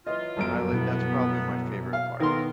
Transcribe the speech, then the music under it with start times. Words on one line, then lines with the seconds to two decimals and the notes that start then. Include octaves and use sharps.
I like that's probably my favorite park,
0.07 E3 F#3 F4 D#5
0.37 G1 F#2 D7
0.72 B2 B3 E4
1.93 F5
2.20 D#3 B3 A4 A#4 C6